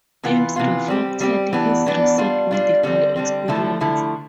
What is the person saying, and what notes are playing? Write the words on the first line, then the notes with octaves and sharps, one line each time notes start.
Themes reflected his recent medical experience.
C3 E3 B3 F4
C3 E3 B3 F4
G3 C4 G4
G3 C4 G4
E3 B3 D4
E3 B3 D4
G3 D4 F4
G3 D4 F4
D3 G3 C4
D3 G3 C4
D3 F3 A3 E4
D3 F3 A3 E4